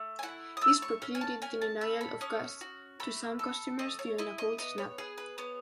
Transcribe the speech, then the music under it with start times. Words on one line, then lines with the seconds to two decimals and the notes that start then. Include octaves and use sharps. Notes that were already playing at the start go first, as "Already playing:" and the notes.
This precluded the denial of gas to some customers during a cold snap.
Already playing: A3
0.19 G#5
0.23 E4 F#5
0.57 D#6
0.61 A3 E6
0.82 C#6
1.02 C#4
1.15 G#5
1.21 A5
1.42 C#4 G#5
1.61 A5
1.81 A4 B5
2.01 B5
2.21 C#4 D#6
2.61 F#4
3.00 A3 B5
3.39 A4
3.79 A3 D#5
3.99 C#5
4.18 E4 D#5
4.38 D#5
4.58 B3 D#5
4.78 C#5
4.98 G#4 B4
5.18 B4
5.38 B3 C#5